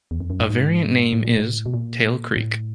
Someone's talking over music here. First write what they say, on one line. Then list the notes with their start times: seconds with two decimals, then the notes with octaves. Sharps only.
A variant name is "Tail Creek".
0.11 E2
0.20 F2
0.30 F#2
0.40 G2
0.50 G#2
1.13 A2
1.24 A#2
1.37 A2
1.66 B2
1.74 A#2
2.37 A2